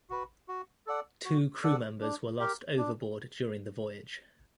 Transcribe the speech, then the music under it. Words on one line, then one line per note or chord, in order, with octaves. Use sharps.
Two crew members were lost overboard during the voyage.
F#4 B4
F#4
A4 D5 F#5
F#4
A4 D5 F#5
D4
G4 A#4
D4